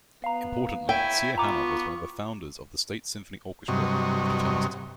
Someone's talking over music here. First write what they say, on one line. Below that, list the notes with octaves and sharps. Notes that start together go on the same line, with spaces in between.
Importantly, Cihanov was one of the founders of the State Symphony Orchestra of Tatarstan.
B3 F5 A#5
E4 C#5 E5 G5 G#5
B3 F4 A#5 C#6 D6
G2 C3 F#3 D#5 C#6